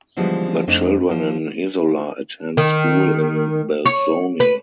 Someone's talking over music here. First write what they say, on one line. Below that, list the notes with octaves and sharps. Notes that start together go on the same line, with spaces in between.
The children in Isola attend school in Belzoni.
D3 E3 F3 G3 G#3 B3
F2 A3 C4 D4 D#4
F3
D#3
C#5
B4